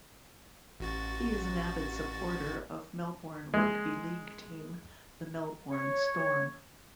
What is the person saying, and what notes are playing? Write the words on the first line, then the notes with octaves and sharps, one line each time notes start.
He is an avid supporter of Melbourne rugby league team the Melbourne Storm.
A1 F#4 A6
G#3
C#5